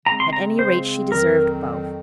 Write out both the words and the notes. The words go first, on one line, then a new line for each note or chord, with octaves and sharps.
At any rate she deserved both.
C#3 G#3 C4 A#5
C6
A#5
C5
F2 D#3 F#3 A#4